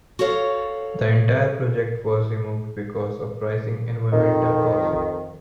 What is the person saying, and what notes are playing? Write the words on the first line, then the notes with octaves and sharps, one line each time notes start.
The entire project was removed because of rising environmental costs.
F#4 A4 C#5 F5
F2 D#3